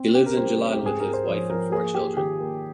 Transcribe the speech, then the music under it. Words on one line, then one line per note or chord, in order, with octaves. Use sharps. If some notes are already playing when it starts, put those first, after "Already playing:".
He lives in Gjilan with his wife and four children.
Already playing: C4
C#3 G4
A#4
G3 C5
C4
G4
G#2 G#4
A#4
G#3
C5
F3 C#5
F3 A#4
A#3 G#4
A#3 G4
D#3 G4
A#3